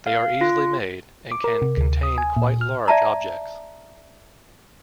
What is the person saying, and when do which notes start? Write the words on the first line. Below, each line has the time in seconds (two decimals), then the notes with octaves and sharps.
They are easily made and can contain quite large objects.
0.06 F5
0.41 F4
1.32 D6
1.44 A#4
1.62 C3
1.77 D2
2.03 D#6
2.18 G#5
2.37 A#2
2.61 F6
2.88 D5 E5 A5 A#5